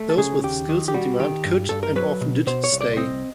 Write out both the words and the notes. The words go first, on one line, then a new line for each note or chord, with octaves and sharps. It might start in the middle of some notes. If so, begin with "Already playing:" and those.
Those with skills in demand could - and often did - stay.
Already playing: A3
A4
C#3 G#4
D#2 G4
D#3
G4
G3 F#4
D#3 G4
G2
G2 A4
A#4
F#3 B4
B2
B2 C5
C#5
C2
D5
C4 D#5